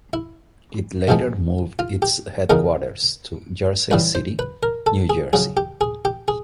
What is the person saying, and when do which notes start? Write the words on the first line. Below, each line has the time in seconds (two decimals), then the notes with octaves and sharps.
It later moved its headquarters to Jersey City, New Jersey.
0.13 E4
1.08 C2 C3 F3 G#3 B3
1.79 F4
2.02 G4
2.50 C#2 C#3 E3 G#3 B3 A#4
3.91 C#2 C#3 E3 G3 B4
4.15 C5
4.39 B4
4.63 A#4
4.86 A4
5.09 G#4
5.33 F2 C#3 F#3 G#4
5.57 G4
5.81 G#4
6.05 G4
6.28 G#4